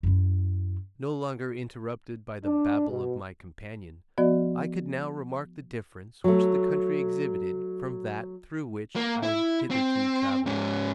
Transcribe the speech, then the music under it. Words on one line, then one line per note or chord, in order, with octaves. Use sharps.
No longer interrupted by the babble of my companion, I could now remark the difference which the country exhibited from that through which I had hitherto travelled.
F#2 E4
D4
B2
F3 B3 F#4 D5 D#5
F#3 A3
A#3
E4
C4
G#2 C#4